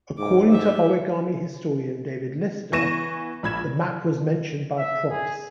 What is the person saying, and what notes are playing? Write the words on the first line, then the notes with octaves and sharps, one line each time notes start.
According to origami historian David Lister, the map was mentioned by Profs.
G#2 D6
G4 E5
E3 B3 C#6 A#6 D#7 E7
A#1 B5 G#6 E7
E5
G#4